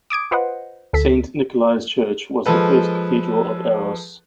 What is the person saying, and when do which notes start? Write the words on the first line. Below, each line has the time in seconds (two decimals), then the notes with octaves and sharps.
Saint Nikolai's church was the first cathedral of Aros.
0.10 D6 D#6 G#6 D7
0.31 F4 B4 C5 D#5 F#5
0.93 D2 A4 B6
2.46 F3 G#3 A4 B4